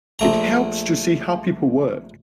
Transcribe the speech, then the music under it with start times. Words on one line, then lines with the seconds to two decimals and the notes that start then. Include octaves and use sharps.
It helps to see how people work.
0.19 A#1 A3 A#5